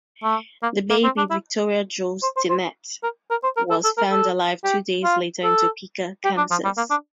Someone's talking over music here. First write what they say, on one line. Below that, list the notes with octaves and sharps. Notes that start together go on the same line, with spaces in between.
The baby, Victoria Jo Stinnett, was found alive two days later in Topeka, Kansas.
A3
A#3
A#3
C4
D4
E4
C5
C5
C5
A#4
A#4
C5
A#4
A4
A4
A#4
A4
G4
F4
A4
G4
D4
F3
G3
A#3
D4